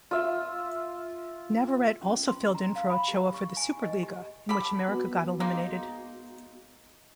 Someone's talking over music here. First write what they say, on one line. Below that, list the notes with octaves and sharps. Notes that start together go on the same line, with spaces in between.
Navarrete also filled in for Ochoa for the SuperLiga, in which America got eliminated.
F4 E5
C#4
C6
A#5
F5
B5
G4
C#6
G#5
D#5
G4
G4 A4 B5
B3 F#4
G#3 A#3 D#4